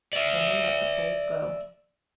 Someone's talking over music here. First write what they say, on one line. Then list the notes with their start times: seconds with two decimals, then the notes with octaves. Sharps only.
Then they let the Poles go.
0.13 D5 E5